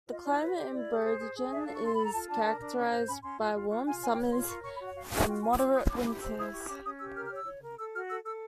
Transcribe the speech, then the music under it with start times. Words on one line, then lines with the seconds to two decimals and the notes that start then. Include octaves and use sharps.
The climate in Brogden is characterized by warm summers and moderate winters.
0.09 F4 D#5
0.25 E4 D5
0.40 B4 C#5
0.56 G4 D5
0.72 E4 D5
0.88 G#4
1.03 C5
1.19 G#4
1.34 G#4
1.50 D4 E5
1.65 A4 F5
1.76 C#6
1.82 A4 C6
1.94 A4 B5
2.04 A#5
2.12 F4 A5
2.29 D4 A5
2.44 A#4
2.60 D4
2.76 C#4
2.91 C5
3.07 C#4 B5
3.23 C#4 C6
3.39 F4
3.54 F4
3.70 F4 C#6
3.85 F4 G#5
4.02 C#5 G#5
4.12 G5
4.17 C#5
4.33 F4 C6
4.48 A#4 C#6
4.64 C#5 C#6
4.74 B5
4.80 F#4
4.86 F#5
4.96 F#4 F5
5.11 F#4 F5
5.27 F4 G5
5.43 F4 G#5
5.51 D#6
5.58 F4 D6
5.73 C#5 D#6
5.90 E4 D6
6.05 G4 D6
6.21 C5 E6
6.37 E4 D#6
6.53 G4 C#6
6.68 C#4 D6
6.84 C#4 D#6
6.99 G4 E6
7.15 A#4 F6
7.25 F6
7.30 C#5
7.36 E6
7.47 C#5
7.62 A#4
7.78 A4 E6
7.94 F#4 F6
8.09 A4 E6
8.24 A4 E6